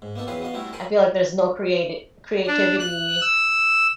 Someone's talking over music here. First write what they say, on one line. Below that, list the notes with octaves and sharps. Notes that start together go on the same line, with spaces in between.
I feel like there's no creati creativity,
G#2
A#3 B3 D#4 A4
E2 F#3 C4 G#4 B4 F5
B3 F#4 D#5 F5
G3 A3 C4 E4 F#4
A4 A#4 C5 G#5 B5
D4
F#6
E6